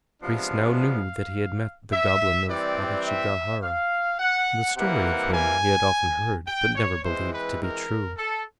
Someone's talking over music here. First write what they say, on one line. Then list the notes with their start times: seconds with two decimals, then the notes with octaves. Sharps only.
The priest now knew that he had met the Goblin of Adachigahara, the story of whom he had often heard but never believed to be true.
0.21 C3 F3 G#3 B3 D4 F5
1.93 E5
2.49 E3 G3 C4 D5
3.06 E5
3.63 F5
4.19 F#5
4.77 C3 E3 G3 A#3 F#5
5.34 G#5
6.47 G5
6.76 C#5
7.04 E3 G#3 C4 C5
7.33 B4
7.61 A#4
8.18 A4